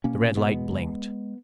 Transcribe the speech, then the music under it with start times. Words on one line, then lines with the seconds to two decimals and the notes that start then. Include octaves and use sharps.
The red light blinked.
0.04 B2 A#3 C#4
0.21 B2
0.37 B2 G#3 B3
0.54 E2
0.70 C#3